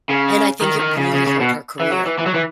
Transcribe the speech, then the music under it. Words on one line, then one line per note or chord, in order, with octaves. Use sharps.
And I think it really hurt her career.
C#3
D#3
D#3
C#3
C#3
C#3
B2
E3
F#3
E3
E3
F#3
E3